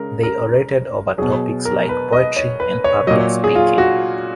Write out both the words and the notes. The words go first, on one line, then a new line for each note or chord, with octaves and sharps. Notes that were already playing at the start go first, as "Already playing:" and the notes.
They orated over topics like poetry and public speaking.
Already playing: C#3 G#3 A#4
A#4
B2 F#3 G#4
A#4
B4
D#5
C#5
B4
C#5
A#2 F#3 D#5
C#5
G#4
F4
F#4